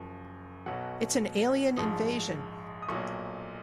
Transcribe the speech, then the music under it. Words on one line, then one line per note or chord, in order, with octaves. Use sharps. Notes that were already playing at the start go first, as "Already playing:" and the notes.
It's an Alien Invasion.
Already playing: F#1 F#2 F3
B1 B2 F#3 F#5
A#1 G#2 F3 D#6
D#6
B1 A#2 F#3 C#6